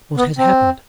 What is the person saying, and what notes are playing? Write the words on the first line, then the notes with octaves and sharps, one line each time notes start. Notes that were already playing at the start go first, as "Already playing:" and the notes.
What had happened?
B3
C4